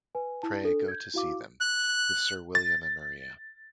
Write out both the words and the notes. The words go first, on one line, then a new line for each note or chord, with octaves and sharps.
Pray go to see them, with Sir William and Maria.
B4 G#5
E4 A5
D4 A4
G6 G#6
E4 F#4 F5 D6
F#6
A6